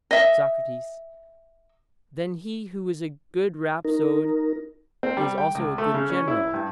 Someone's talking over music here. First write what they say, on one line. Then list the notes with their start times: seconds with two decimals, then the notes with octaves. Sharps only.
SOCRATES: Then he who is a good rhapsode is also a good general?
0.11 D#5 E5
3.85 D#4 A#4
5.03 C4
5.17 G3
5.38 G5
5.55 C#2
5.78 A3
5.94 C#3
6.10 C#4
6.28 E4
6.54 G2